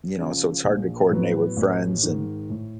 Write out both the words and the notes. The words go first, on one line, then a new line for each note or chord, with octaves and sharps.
you know, so it's hard to coordinate with friends and,
C#3 F3
A#1
A2 F#3 B3
A1
G#2 D#3
A2